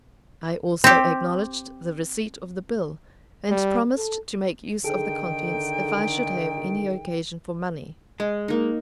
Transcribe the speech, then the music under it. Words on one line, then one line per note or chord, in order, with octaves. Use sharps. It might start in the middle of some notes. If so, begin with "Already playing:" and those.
I also acknowledged the receipt of the bill, and promised to make use of the contents if I should have any occasion for money.
C4 G4
G3
A4
D3 D#3 D#4 G#4 A4 G5 D7
G#3
A#3 D#4